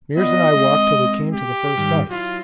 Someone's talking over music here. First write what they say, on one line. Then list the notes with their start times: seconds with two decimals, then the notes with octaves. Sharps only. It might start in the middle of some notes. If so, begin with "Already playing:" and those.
Meares and I walked till we came to the first ice.
0.17 B3 F4 D5 D#5
0.55 G#3 C4
1.32 G4
1.78 G#2 D#3 G3
2.11 F#3 E4 F4